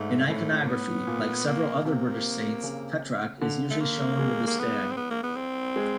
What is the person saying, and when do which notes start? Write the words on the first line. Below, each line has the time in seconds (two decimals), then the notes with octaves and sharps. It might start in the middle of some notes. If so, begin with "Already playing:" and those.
In iconography, like several other British saints, Petroc is usually shown with a stag.
Already playing: G#2 A3
0.30 A2
0.41 G#2
0.53 A2
0.61 A#3
0.68 B3
1.07 A#2
1.46 A#3
1.85 C3 A#3
2.63 C#3
3.41 D3
3.71 A3
3.80 A#3
4.19 G#3
4.47 A#3
4.59 B3
4.92 C4
4.97 B3
5.10 A#3
5.23 B3
5.36 C4
5.76 G#3